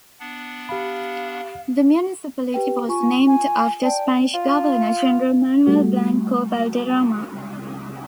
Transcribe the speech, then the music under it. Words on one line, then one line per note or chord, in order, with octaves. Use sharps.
The municipality was named after Spanish governor-general Manuel Blanco Valderrama.
B3 D4 F#5
G4 F5 B5
G4 B4 G5
F4 G#5 C#6
G#5
D5 G5 A5
F4
G3 A3 F#4